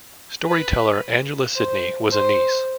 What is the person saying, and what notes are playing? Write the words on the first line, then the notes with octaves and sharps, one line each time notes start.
Storyteller Angela Sidney was a niece.
B4
C5
C5